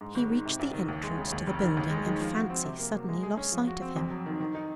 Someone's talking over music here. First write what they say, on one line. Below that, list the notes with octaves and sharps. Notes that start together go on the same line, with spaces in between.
He reached the entrance to the building, and Fancy suddenly lost sight of him.
G#2
G#1
D#3
C3
C2
D#3
D#2
G#3
C#3
D#2
F1
D#3
D#2
G#3
D#3
F3
F#4
C4
C3
A#3
F#3
G#3
G#4
C#4
F3
F#4
C4
F2
F#3
D#3
D#3
D#4